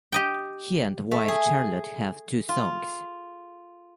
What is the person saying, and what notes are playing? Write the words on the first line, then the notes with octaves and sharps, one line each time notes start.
He and wife Charlotte have two sons.
G4 D#5 G5
A3
G#4
F4